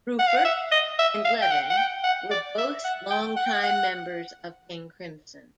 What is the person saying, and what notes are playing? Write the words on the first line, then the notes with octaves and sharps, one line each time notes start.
Bruford and Levin were both longtime members of King Crimson.
F#5
F5
F#5
E5
D#5
E5
F5
G5
F#5
F#5
G5
F#5
D5
E5
F#5
G5
F#5
G5
F#5
F#5